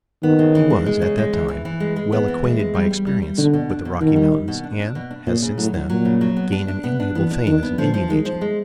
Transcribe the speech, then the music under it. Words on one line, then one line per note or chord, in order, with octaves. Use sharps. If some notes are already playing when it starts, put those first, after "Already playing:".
He was, at that time, well acquainted by experience with the Rocky Mountains, and has, since then, gained an enviable fame as an Indian Agent.
D#3 B3
C#3
E3
G#3
G#3
C#3
G#3
E3
E3
E3
G#3
G#3
B3
E3
G#3
G#3
G3
G3
G3
G3
B2 D3
B2
D4
B2
B2 D#3
G3
G3
B2
D4
D4
B2
D4
A#2 C#3
C#3
A2 F#3
F#3
A#2 F#3
C#3
F#3
B3
D4
D4
B3
D4
E3 B3
D4
D#3 D4
B3
D3 F3
F3
D#3 G#3
F3
G#3